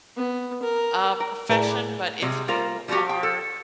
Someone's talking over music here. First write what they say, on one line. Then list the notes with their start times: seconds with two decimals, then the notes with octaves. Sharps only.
uh, profession, but if you are,
0.16 B3
0.63 A#4
1.20 A#4
1.49 A2 G#4 A#4 B4 D5 A5
2.22 C3 G3 G#3
2.48 G3 F4 A#4 C5
2.88 F3 G3 A3 F#4 G4
3.09 G5
3.23 A4